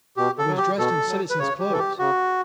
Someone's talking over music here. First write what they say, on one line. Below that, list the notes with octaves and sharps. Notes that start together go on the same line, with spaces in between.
I was dressed in citizen's clothes.
B2 G4
A4
F#3
G4
B2 A4
F#3
B4
C#3 C#5
G4
E3 A4
G4
C#3 F#4